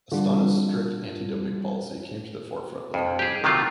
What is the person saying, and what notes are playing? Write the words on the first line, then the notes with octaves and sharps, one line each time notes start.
Astana's strict anti-doping policy came to the forefront later in the year.
D3 G3 F4
F2
G4 G#4
C3 D#3 F#3 A3 F4